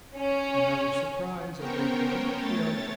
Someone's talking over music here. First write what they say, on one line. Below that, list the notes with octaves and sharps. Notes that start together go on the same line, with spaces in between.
Another surprise awaited Pinocchio!
C#4
B3 C#4 A#4 C5 C#5 G5
A3 C#5 A6